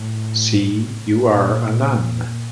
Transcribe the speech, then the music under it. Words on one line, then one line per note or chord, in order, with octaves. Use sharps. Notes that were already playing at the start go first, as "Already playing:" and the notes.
See, you are a nun.
Already playing: A2
A#2